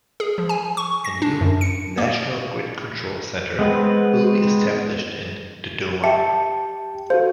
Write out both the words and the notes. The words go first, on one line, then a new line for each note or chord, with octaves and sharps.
A new "National Grid Control Center" will be established in Dodoma.
G#4
F3
G#5
C#6
A#6
D4
F#2
C#7
A#3
G#3 B3 C4 B4
G4 E5 G5 A5 C#7
F#4 A4 C5 F5